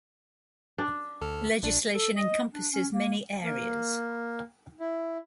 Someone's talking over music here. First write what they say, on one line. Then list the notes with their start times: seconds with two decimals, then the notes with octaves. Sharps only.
The legislation encompasses many areas.
0.78 D4
1.21 D2 A4 F6
1.63 A#1 D4
1.94 A4
2.15 D#5
2.54 D4
2.73 C#4
2.92 A#3
3.44 A#3
4.80 E4